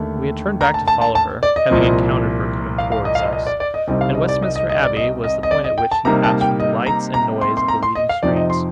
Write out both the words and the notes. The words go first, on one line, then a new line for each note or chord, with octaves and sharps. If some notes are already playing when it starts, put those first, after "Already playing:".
We had turned back to follow her, having encountered her coming towards us; and Westminster Abbey was the point at which she passed from the lights and noise of the leading streets.
Already playing: D#2 D3 A3 D4
A#5
A5
A5
A5
A5
D5
D#5
C2 A#2 F3 C4
F5
F5
D#5
F5
D#5
D#5
D5
D5
D#5
C2 C3 G3 C4 D#4 D#5
F5
D#5
D5
D#5
D#5
D#5
D5
D#5
D#5
D#5
D5
D#5
G5
A5
C3 G3 A#3 D#4 A#5
A5
G5
D#5
A#5
A#5
C6
C6
A#5
C6
D#5
F5
F2 C3 F3 C4 D#4 D5
D#5
C6